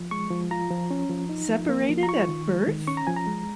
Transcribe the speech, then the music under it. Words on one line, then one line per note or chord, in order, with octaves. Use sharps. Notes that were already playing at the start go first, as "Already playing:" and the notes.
Separated at Birth?
Already playing: F3
G#3 C#6
F3
F4 A#5
F3
C#4
F3
D#4
F3
A#3
F3
A#5
F4 C#6
D#3
G#3
D#3
C#4 C#6
A#5
F3 G#5
A#5
G#3